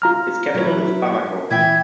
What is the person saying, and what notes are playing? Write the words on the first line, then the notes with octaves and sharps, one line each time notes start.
Its capital is Bamako.
F4 A#5 F6
F#3 E4
E3 E5 G5 G#6